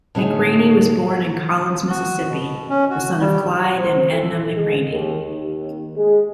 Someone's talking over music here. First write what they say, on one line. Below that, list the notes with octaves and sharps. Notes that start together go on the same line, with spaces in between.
McRaney was born in Collins, Mississippi, the son of Clyde and Edna McRaney.
A2 D3 D#4 G#4
F#4
B2
C#4
F#4
G3
C5
A4
G#3
D#2
D#2
G#3